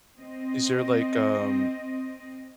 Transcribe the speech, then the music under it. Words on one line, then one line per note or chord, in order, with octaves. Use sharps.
is there like, um,
C4 D#5